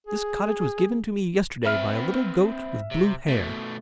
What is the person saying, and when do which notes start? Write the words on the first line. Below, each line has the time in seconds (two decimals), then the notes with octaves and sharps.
"This cottage was given to me yesterday by a little Goat with blue hair."
0.07 G#4
1.66 C4 B4 E5 F6
2.91 C3
3.28 B2 A3